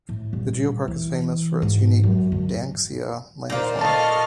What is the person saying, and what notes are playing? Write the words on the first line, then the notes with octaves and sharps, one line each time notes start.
The Geopark is famous for its unique Danxia Landform.
A2
D#1
E3
G#2
F#2
D3
D#2 A#2 F4 A#4 C5
A4 D#5 F5 A5 C#6 F6